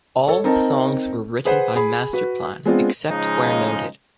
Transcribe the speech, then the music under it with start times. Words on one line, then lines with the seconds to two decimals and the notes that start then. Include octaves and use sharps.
All songs were written by Masterplan, except where noted.
0.27 A4 C#5
0.44 C4 D#4 A#4 A5
1.45 G#4 B4 C5 F#5
1.76 G#4 B5
2.13 F#4 B4
2.65 G#3 B3 C4 D4 F4
3.10 C#3 F3 G#3 D#4